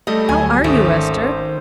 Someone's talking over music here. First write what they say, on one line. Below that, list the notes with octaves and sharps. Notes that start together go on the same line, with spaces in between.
"How are you, Ester?"
G3 A3 A4 D#5
D2 F#3 G#5
G#1 D#3 A3 C#4 C5 D#6